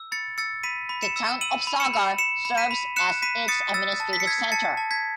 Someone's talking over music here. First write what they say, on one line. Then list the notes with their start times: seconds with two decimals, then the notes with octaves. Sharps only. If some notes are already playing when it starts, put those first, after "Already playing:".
The town of Sagar serves as its administrative center.
Already playing: E6
0.12 B5 A6 C#7
0.38 E6 A6 C#7
0.63 B5 B6 D#7
0.89 B5
1.02 C#7 E7
1.16 E6
1.41 E6 D#7 F#7
1.67 B5
1.80 C#7 E7
1.93 B5
2.18 B5 C#7 E7
2.45 B5
2.57 B6 D#7
2.71 B5
2.96 F#6 C#7 E7
3.22 B5 B6 D#7
3.48 D#6 A6 C#7
3.74 E6 A6
4.00 A5
4.13 B6
4.20 C#7
4.26 E6 G#6 B6
4.52 A5 A6 C#7
4.77 A5
4.91 G#6 B6